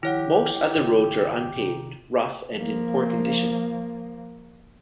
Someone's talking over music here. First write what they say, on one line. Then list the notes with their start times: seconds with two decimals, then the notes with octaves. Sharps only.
Most other roads are unpaved, rough and in poor condition.
0.03 D#3 F3 E4 G4 C#5 F#5
0.76 G#1 C#3
1.56 C3 D#3
2.55 F3 A#3